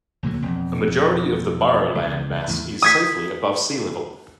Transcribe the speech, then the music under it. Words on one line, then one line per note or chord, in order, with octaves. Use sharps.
A majority of the borough land mass is safely above sea level.
C#2 A#2 D3 F#3
E1 F2
C#2
E2 A2
D#6 G#6 B6